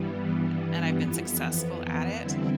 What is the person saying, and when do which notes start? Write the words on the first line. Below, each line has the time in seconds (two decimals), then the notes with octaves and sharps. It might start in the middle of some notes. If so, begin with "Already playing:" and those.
a and I've been successful at it,
Already playing: G2 E3 G3 B3
0.97 F2 E3 B3
2.20 D3 G3 C4 E4